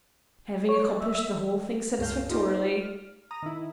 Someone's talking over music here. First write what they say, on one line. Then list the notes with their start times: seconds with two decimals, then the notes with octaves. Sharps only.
"Having accomplished the whole thing satisfactorily."
0.69 C#5
0.88 D5
1.00 E5
1.15 E5
1.99 C#2 G2 C#3 A3 F5 G6
2.30 D#4 F4 G4 C5 D5
2.81 F6
3.31 A#5 D#6
3.42 D#3 E4